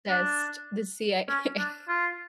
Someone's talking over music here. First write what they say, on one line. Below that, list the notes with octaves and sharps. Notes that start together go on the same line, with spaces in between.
sessed The CIA A
D4
C#4
D4
F4